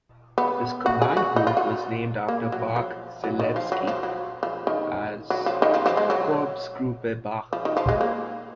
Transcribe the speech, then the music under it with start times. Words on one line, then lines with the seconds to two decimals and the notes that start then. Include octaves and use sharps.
This command group was named after Bach-Zelewski, as "Korpsgruppe Bach".
0.38 B3
0.86 F#4
1.02 G#4
1.17 F#4
1.36 D#4
1.47 F4
1.57 F#4
2.28 A#3
2.52 F#3
2.76 F3
3.24 F#3
3.39 D#3
3.56 F3
3.72 F#3
3.87 F3
4.03 F#3
4.43 F3
4.67 D#3
5.30 F#3
5.46 F3
5.62 D#3
5.74 F3
5.86 F3
5.97 G#3
6.10 F#3
7.53 F3
7.65 D#3
7.77 F3
7.89 G#3
8.01 A#3